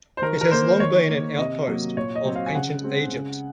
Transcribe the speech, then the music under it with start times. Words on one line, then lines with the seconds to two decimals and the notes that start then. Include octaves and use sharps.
It has long been an outpost of ancient Egypt.
0.17 C5
0.22 D#3 A#4
0.41 A#4
0.51 A#3 C5
0.80 D#3 C#5
1.09 A#3
1.38 C3 D#5
1.68 F#3 A#3
1.97 A#2 C#5
2.15 D#5
2.25 F#3 C4
2.36 F5
2.46 G#5
2.55 C#3 F#5
2.84 G#3 C4
3.13 C#3